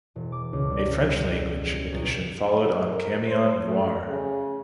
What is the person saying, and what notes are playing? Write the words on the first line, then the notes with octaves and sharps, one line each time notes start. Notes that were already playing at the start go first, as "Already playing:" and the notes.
A French language edition followed on Camion Noir.
E1
D6
C#2
G3
B1
A#4
C5
A3
C#3